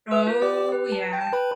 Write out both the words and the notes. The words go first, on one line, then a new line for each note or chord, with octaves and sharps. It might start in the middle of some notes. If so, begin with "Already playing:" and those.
Oh, yeah.
B4 E5 E6
F4
G4 D5 D6
G4
B4
A5
G5
A5
B4 A5 B5